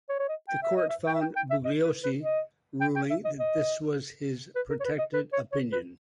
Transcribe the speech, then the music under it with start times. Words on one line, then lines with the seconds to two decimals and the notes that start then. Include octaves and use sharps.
The court found for Bugliosi, ruling that this was his protected opinion.
0.09 C#5
0.19 C#5
0.29 D#5
0.48 G5
0.62 E5
0.76 D#5
0.89 E5
1.07 G5
1.14 E5
1.21 G5
1.36 G5
1.50 E5
1.65 D#5
1.84 B4
2.04 B4
2.23 D#5
2.81 G5
2.96 G5
3.10 E5
3.25 D#5
3.39 D#5
4.56 B4
4.70 A#4
4.80 C#5
4.85 B4
4.99 D#5
5.14 B4
5.33 C#5
5.52 C#5
5.72 B4